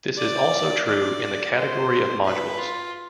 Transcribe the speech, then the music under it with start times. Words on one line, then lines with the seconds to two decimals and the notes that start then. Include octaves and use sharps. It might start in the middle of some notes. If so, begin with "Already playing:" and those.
This is also true in the category of modules.
0.17 D5
0.86 D5
1.56 C5
2.24 B4
2.58 F4